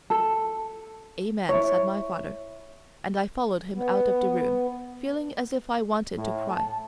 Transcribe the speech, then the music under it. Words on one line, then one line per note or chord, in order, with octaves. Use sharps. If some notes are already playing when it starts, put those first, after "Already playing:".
"Amen!" said my father, and I followed him out of the room, feeling as if I wanted to cry.
A4
E4 C#5
B3
A2
A5